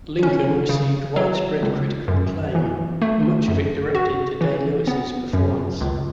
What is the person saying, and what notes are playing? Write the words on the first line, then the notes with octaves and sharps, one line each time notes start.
"Lincoln" received widespread critical acclaim, much of it directed to Day-Lewis's performance.
C#4
C#3
F#3
C#2
F#2
E3
A3
F#2
F#4
E3
B3
F#2
C#2